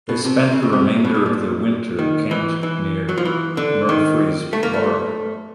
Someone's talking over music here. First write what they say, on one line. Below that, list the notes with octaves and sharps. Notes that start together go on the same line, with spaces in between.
They spent the remainder of the Winter camped near Murfreesboro.
B2
C3
C#3
C#3
C3
B2
B2
A#2
D#3
E3
E3
F#3
F3
E3
D3
D#3
A3
A#3
A3